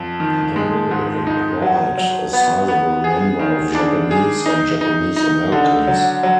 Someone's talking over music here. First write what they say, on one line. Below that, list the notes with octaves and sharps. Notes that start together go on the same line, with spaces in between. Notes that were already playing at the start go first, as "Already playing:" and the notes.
The mill employed a sizeable number of Japanese and Japanese Americans.
Already playing: F2
D#3
G#3
G#2
D#4
F#3
F#3
B3
B3
G#4
D#3
D4
G#4
D#4
D#4
D#4
D3
F#3
F#3